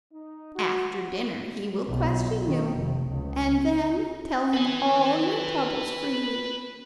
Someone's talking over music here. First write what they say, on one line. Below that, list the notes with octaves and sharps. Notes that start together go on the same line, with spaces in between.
After dinner he will question you, and then tell him all your troubles freely.
D#4
F#4
B1
D#3
F1
C#2
B4 G#5